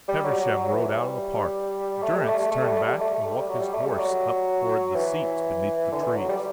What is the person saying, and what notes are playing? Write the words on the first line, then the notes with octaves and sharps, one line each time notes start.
Feversham rode out of the park, Durrance turned back and walked his horse up toward the seats beneath the trees.
G3
F#3
F#3
F#3
F#3
E3
G3
A3
G3
A3
A3
A3
G3
A3
G3
A3
A3
G3
F#3
G3
A3
G3
F#3
E3
D3
E3
F#3
G3